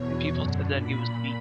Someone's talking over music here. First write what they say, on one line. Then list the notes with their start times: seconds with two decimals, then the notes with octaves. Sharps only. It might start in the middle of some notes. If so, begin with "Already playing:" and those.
And people said that he was weak.
Already playing: E2 B2 C#5
0.31 F#2 D3
0.75 A#2 B5